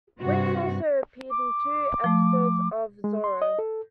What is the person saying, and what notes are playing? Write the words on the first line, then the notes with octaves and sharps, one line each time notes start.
Wickes also appeared in two episodes of "Zorro".
G2 C3 F#4
D6
F3 A3
G#3
C6
D#5
A4